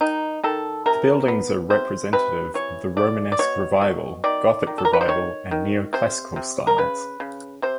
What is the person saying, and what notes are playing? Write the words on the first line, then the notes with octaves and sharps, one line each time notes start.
The buildings are representative of the Romanesque Revival, Gothic Revival, and Neo-Classical styles.
D#3 D#4
D#3 A4
C3 A#4
B3
C3 C5
C3 B4
E3 C#5
A3 D5
D5
B2 C#5
B2
D#3 D5
D#3
A4
A#4
B4
C5
D#3 C#5
D#3
C3 C5
C3
A#4
C#3 B4
C#3
C3 C5